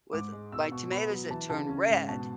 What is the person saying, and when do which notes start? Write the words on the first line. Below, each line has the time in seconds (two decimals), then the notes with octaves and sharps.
with my tomatoes that turn red,
0.13 G#2 D6
0.32 G#3
0.52 B2 E6
0.72 B2 C#6
0.91 B3 B5
1.10 F#3
1.30 E3 A5
1.50 C#3 A5
1.69 C#4
1.89 G#2
2.08 B2 A5